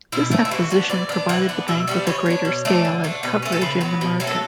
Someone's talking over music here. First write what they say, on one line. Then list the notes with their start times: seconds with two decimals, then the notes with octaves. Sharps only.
This acquisition provided the Bank with a greater scale and coverage in the market.
0.12 B2 E4
0.31 A3 C#4
0.45 E4
0.51 E3 F#4
0.70 B3 D4
0.90 E3 D5
1.09 B3 D4
1.29 E3 F#5
1.49 B3 D4
1.68 B2 E5
1.88 G3 B3 D4
2.07 E3 C#5
2.26 B3 D4
2.45 B2
2.65 A3 D4
2.85 D3
3.04 A3 D4
3.23 B2 B4
3.42 A3 C#4
3.52 A4
3.61 C#3 B4
3.81 F#3 B3
4.01 B2
4.20 F#3 A3
4.27 A4